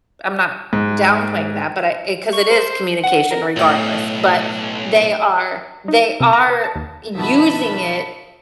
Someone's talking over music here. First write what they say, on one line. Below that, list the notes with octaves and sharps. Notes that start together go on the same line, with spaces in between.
I'm not downplaying that, but I 'cause it is communication regardless, but they are they are using it
G#2
C#6
C5
F#5
A#4
B1 A2 G5
D#4
C3
A#5
B4
A5
D#2
B2 D#3 F3 E5 A5 B5